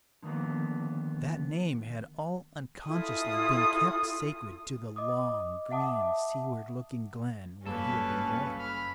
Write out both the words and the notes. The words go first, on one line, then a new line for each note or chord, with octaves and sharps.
That name had all unconsciously been kept sacred to the long, green, seaward-looking glen where he had been born.
D3 D#3 F3 A#3 B3
E4 F4 A4 D#6
D#5 D6 D#6
E5 F#5 A5 D6 D#6
F#1 F#2 G3 A#3 C#4 A4 B4
B5 F6